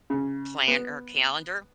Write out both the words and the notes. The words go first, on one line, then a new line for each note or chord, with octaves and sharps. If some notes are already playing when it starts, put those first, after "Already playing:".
planner calendar,
C#3
B3